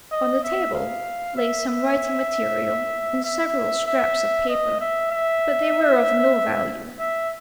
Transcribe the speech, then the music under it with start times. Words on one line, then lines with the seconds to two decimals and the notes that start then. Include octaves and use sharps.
On the table lay some writing material and several scraps of paper, but they were of no value.
0.12 D#5
0.44 E5
0.74 F5
1.36 E5
1.68 E5
3.24 E5
3.87 E5
4.49 D#5
4.81 E5
5.11 E5
6.99 E5